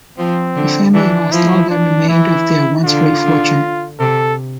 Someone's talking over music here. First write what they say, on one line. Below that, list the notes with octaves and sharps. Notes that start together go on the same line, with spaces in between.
The family lost all that remained of their once great fortune.
F3 C4
D3
E3 D4
F3 E4
D4
E3 E4
D3 F4
D3
C3 A4